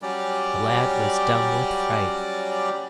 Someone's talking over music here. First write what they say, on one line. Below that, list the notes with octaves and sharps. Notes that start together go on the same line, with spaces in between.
The lad was dumb with fright.
F#3 G3 C#4 D5